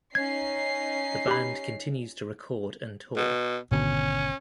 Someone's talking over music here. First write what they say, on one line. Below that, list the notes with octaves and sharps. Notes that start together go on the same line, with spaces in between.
The band continues to record and tour.
C#4 D#4 G#6 C7
G4 B5
B2
G#1 B2 D3 C#4